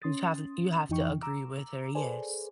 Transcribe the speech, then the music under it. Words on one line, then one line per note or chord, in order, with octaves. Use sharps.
You have you have to agree with her, yes.
C#4 C6 D#6 A6
F2 E3 D#4 G5 C#6
A#5 D6 E6
G#4 A4 B4 C5 D5 G#5